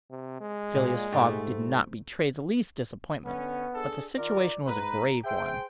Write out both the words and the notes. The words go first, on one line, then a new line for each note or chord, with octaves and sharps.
Phileas Fogg did not betray the least disappointment; but the situation was a grave one.
C3
G#3
A#2
G#2 A3 G4
D3 B3 C#4
D4 G#4 A4
D#3 F4 A#4 D5
G#2 B4 A#5
G#4 C5 E5 G5